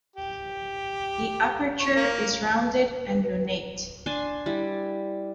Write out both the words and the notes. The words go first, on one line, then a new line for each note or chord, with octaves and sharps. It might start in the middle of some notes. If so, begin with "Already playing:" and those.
The aperture is rounded and lunate.
G4
C#5
A#3
B4
D4 G#5 A5 C6
G3 E4